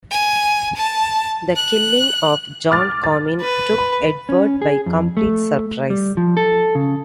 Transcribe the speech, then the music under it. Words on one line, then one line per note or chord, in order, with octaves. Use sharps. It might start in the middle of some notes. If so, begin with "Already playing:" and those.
The killing of John Comyn took Edward by complete surprise.
G#5
A5
F#6
D6 F6 A6
A6
B4
B5
C#4
G#4
F2
A3
G3
F3
A4
C#3